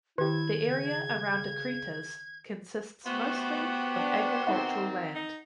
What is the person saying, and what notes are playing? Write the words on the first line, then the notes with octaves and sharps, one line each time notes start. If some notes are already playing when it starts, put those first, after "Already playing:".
The area around Akritas consists mostly of agricultural land.
D#3 E4 G4 B4 G#6
C#3
E3 A3 B3 F#4 G4 C5
D4
D#3 C4 D#4 E5 F#5
D#4